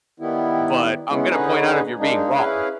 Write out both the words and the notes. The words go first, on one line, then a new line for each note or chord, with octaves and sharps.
but I'm gonna point out if you're being wrong,"
D#3 G3 B3 E4
G#3 B3 C#4 E4
D3 C#4 D#4 G#4 B4
G#3 A#3 D4 D#4
C#4 E4 G#4 B4 F5